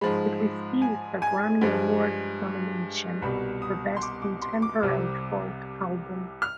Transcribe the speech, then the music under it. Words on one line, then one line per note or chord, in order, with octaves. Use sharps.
It received a Grammy Award nomination for Best Contemporary Folk Album.
G#2 F3 G#3 B5
G#5
G#5
G2 F3 G#3
C2 B2 G3 B5
D#6
C6
D6
D6
C6
D6
C2 C3 G3
F6